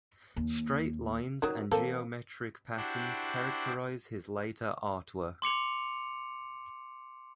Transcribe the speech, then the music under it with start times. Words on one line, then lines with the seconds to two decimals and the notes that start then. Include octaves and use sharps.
Straight lines and geometric patterns characterize his later art work.
0.36 D#2
1.42 D#3 F#3 C#4 F#4
1.71 E3 A#3 C4 A4
2.77 D4 E4 F#4 G4 C5
5.42 C6 D6 C#7 F7